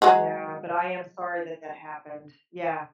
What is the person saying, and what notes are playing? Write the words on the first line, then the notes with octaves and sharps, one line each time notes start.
Yeah, but I am sorry that that happened. Yeah.
F#3 G#3 F#4